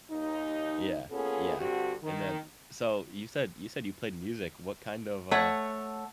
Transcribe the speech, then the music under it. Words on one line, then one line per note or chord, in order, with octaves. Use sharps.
Yeah, yeah. And then So, you said you said you played music, what kind of, uh
D#2 D#4
A#3 B3 C#4 F4 G#4 A4
G2 D3 C4 F#4 G4
D#3
A3 C#5 F#5